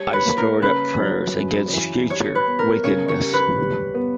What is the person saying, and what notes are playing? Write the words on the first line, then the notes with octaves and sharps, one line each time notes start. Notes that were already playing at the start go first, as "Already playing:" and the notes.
I stored up prayers against future wickedness.
Already playing: G3 C#5
B4
A#3
A#4
C#3 B4
F#3
F#2
E3
G3 C#5
B4
B3
A#4
C#3 C#5
C#5
G3
B4
G3
B3